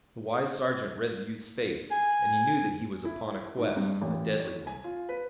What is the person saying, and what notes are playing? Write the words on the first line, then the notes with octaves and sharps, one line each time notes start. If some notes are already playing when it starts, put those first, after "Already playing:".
The wise sergeant read the youth's face, and he knew that he was upon a quest, a deadly one.
G#5
E4
G#2
G2
A1
C#5
G#5
F4
B4